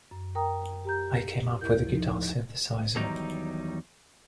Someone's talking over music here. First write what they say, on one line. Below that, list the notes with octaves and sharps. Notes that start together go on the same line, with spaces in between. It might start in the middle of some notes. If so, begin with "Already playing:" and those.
I came up with a guitar synthesiser.
F#2
A#4 G5 A#5 D#6
G4 A#5 G6
D2 E4 A#4 G6
F3 D#4
E2 D#3 F#3 G3 D#4 A#5